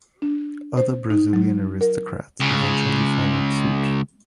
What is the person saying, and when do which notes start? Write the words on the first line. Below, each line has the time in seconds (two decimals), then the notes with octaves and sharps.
Other Brazilian aristocrats eventually followed suit.
0.22 D4
0.77 C5
1.10 D#4
1.33 F#3
1.81 A#4
2.40 C#2 C#3